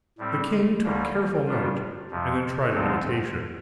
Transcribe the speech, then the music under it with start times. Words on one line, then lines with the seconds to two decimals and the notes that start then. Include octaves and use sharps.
The king took careful note, and then tried an imitation.
0.18 A2 G3 C4
0.83 D#2 D3 G3 A#3
1.46 D#3 G3 D4 F4
2.10 F2 C3 F3
2.74 D2 D3 F3 C4 D#4